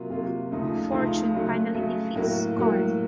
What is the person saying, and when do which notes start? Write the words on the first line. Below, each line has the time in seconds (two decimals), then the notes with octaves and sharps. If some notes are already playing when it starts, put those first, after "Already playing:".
Fortune finally defeats Scarn.
Already playing: C3 F#3 A#3 F4
0.10 C3 F#3 A#3 F4
0.51 C#2 C#3 F3 A3 D#4
0.92 C#2 C#3 F3 A3 D#4
1.34 C#3 F#3 A3
1.74 C#3 F#3 A3
2.15 A2 F#3 A#3
2.58 A2 F#3 A#3